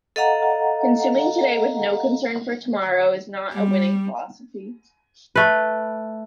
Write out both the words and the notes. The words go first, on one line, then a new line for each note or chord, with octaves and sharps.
Consuming today with no concern for tomorrow is not a winning philosophy.
A4 D#5 F5 F#5 A#5
G3
A3 B4